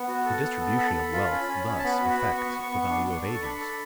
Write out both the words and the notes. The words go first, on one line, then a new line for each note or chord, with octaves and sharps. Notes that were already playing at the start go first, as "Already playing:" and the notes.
The distribution of wealth thus affects the value of agents.
Already playing: B3
F#4
A4
B3
A4
A4 B5
A4
F4
C#4
C#4
C#4
A5
B3 B5
F#4
B5
B3
B3 C#6
B3
C#6
B3
D4
D4
A4
C#6
D4 B5
A4